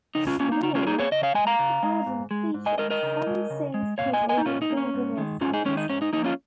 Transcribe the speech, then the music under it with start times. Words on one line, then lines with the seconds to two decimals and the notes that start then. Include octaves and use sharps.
In all, the album featured seven songs spread over four vinyl sides.
0.15 C#3 D#4
0.27 C#4 F4
0.40 A#3 C#4 F4
0.52 D#4
0.63 C#3 D#4
0.75 C#4 F4
0.83 A#4
0.87 A#3 D#4 G#4
0.99 G#4 C#5
1.12 C#3 D#5
1.23 C#5 F5
1.34 G#3 D#5 G#5
1.47 F5 A#5
1.59 C#3
1.83 G#3
2.06 G#2
2.31 G#3
2.54 G#2
2.66 D#5 G#5
2.78 G#3 A#4 D#5
2.90 A#4 D#5
3.03 C#3
3.27 G#3
3.50 C#3
3.74 G#3
3.98 A#2 C#5 F5
4.13 D#5 G#5
4.21 A#3
4.29 D#5 G#5
4.38 D#4
4.45 A#2 C#4 F4
4.62 D#4
4.70 A#3
4.77 C#4
4.94 G#2
5.17 D#3 G#3
5.41 G#2 C#4 F4
5.53 D#4 G#4
5.65 D#3 G#3 C#4
5.77 D#4
5.89 G#2 C#4
6.02 D#4
6.13 A#3 D#4
6.17 F3
6.24 C#4 F4